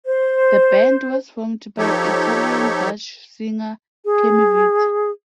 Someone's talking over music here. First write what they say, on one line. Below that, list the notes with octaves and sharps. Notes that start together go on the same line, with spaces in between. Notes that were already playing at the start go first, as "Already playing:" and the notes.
The band was formed by Italian-Dutch singer Kemi Vita.
C5
F3 D#4 G4 A4 C#5
G#4